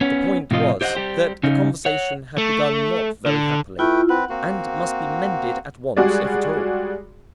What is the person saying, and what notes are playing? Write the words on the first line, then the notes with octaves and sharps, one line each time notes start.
The point was, that the conversation had begun not very happily, and must be mended at once if at all.
B3 C#4
A2 C3 F3 F4 D#5
G4 C5 D#5 F5 F#5
G3 G4 C5
C#3 C#4 D#4
C#5 F#5
A3
D3
A3 E4 F4 B4 G5
C4 B4 F#5
A#3 C4 F#4
G3 G#3 F#4 G#4 D5